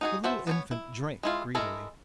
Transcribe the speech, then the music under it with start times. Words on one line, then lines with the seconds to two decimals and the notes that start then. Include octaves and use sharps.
The little infant drank greedily.
0.01 D#4 F#4 G#4
0.24 E3 F#4 C5 E5 A5
0.47 B3 C5 C#5
0.71 E4
1.23 G#3 E4 F4
1.55 G#3 E4 A4 A#4